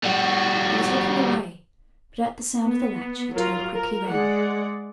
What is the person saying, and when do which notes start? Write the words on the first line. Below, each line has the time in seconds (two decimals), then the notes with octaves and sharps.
He was looking away; but at the sound of the latch he turned quickly round.
0.04 G3 F#4
2.64 B3
3.34 F#3 F4 A#4
3.73 A#4
4.08 G#3 D5 F#5